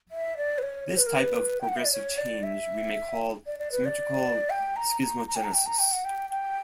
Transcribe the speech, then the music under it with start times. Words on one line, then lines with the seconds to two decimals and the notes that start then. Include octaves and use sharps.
This type of progressive change we may call symmetrical schismogenesis.
0.11 E5
0.37 D5
0.58 B4
0.62 C#5
0.88 C#5
0.97 B4
1.07 A#4
1.16 B4
1.61 G5
1.68 F#5
1.76 E5
1.84 D5
1.92 C#5
2.18 D5
2.43 E5
3.47 D5
3.59 D5
3.72 B4
3.85 D5
4.50 G5
4.76 A#5
5.01 A#5
5.27 A#5
5.36 G5
5.44 A#5
5.53 G5
5.66 A#5
5.79 G5
5.92 F#5
6.05 G5
6.30 G5